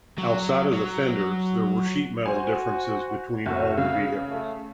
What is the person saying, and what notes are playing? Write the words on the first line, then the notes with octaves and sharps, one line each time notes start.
Outside of the fenders, there were sheet metal differences between all the vehicles.
F#3
F#3
F#4 C5 G#5
F#1 A3 F#4
C#3 F5
A3